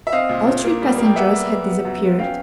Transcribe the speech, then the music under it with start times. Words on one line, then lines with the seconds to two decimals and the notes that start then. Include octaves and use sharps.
All three passengers had disappeared.
0.07 E5
0.12 C4 D#5 F5
0.29 A#2
0.47 A#2
0.64 A#3
0.82 G3
0.98 A#3
1.04 G5
1.16 B3 E5 F#5
1.32 G3
1.50 B3
1.68 B3
1.85 F#2
2.02 B3
2.19 C#4 F5 G5